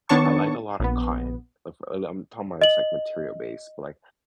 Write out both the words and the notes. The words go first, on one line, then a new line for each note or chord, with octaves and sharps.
I like a lotta cotton, if I I'm talking about it's, like, material-based, but, like,
D#3 B3 D4 C#5 A5 C#6
A#1 B3
D#5 F#7